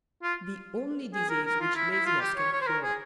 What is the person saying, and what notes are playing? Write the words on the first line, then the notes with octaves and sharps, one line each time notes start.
The only disease which laziness can cure.
F4
G#4
A#4
A#4
F4
E4
E4
F4
G4
C#5
C#5
C5
A#4
G#4